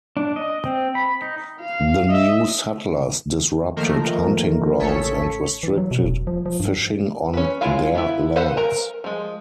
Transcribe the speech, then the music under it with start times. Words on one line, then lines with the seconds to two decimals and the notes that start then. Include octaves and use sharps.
The new settlers disrupted hunting grounds and restricted fishing on "their" lands.
0.17 D4
0.36 D#5
0.65 C4
0.95 B5
1.22 D#4
1.61 F5
2.09 D#5 E5
3.76 D#3 F3 A3 A#3 A#4
4.79 A1 C#3 A4 C#5 B6 C#7
5.63 E3
5.78 F#3
5.91 B2
6.04 E1
6.27 F3
6.46 F3
6.60 G2
7.34 C#4 B4
7.61 G#3 E4 F4 F5
7.95 B3 E4
8.36 A4 B4 C5 F5 F#5
8.57 A#4 A#5
9.04 F3 G#3